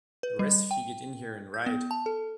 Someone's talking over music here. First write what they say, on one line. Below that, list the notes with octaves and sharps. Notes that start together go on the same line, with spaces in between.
The rest of you get in here and riot!
B4
G3
G5
G6
B3
A5
A4